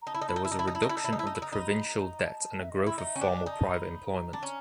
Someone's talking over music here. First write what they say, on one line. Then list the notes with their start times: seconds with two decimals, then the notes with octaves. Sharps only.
There was a reduction of the provincial debt and a growth of formal private employment.
0.02 A#5
0.07 D#4 A5
0.15 E4
0.21 D#4
0.29 E4
0.36 D#4
0.45 E4
0.52 D#4
0.59 E4
0.67 D#4
0.75 E4
0.82 D#4
0.89 E4
0.97 D#4
1.04 E4
1.13 D#4
1.19 E4
1.27 D#4
1.35 E4
1.41 D#4 A#5
1.52 D#4 B5
1.88 A#5
2.25 A5
2.61 E5
2.69 D#5
2.77 E5
2.86 E4
2.97 D#4 E5
3.15 C#4 G5
3.21 D4
3.34 G#5
3.44 D#4 G#5
3.52 A5
3.71 B5
4.06 A#5
4.33 D4
4.43 C#4 A#5